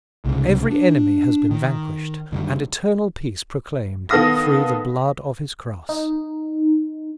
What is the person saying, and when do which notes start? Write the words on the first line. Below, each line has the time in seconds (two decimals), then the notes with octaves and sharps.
Every enemy has been vanquished, and eternal peace proclaimed, through the blood of his cross.
0.25 C2 G#2 C#3
0.71 D4
1.50 D#3
2.32 F#2 D3 D#3 G3
4.10 D#3 B3 A4 F5 D#6 A#6
5.89 D#4